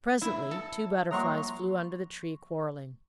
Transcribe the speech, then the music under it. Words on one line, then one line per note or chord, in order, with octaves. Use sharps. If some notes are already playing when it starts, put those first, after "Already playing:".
Presently two Butterflies flew under the tree, quarrelling.
E4
A4
F3 G3 A#3 A#5 C6 C#6